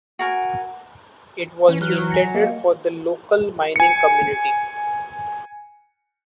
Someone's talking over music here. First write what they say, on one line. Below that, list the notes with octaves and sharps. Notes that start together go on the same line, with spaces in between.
It was intended for the local mining community.
F#4 A#4 G#5
E3 C#4
F#3 F6 F#6 G7
G#5 A#6 C#7
A#3 D#5 F5 C#7
G#5 C#7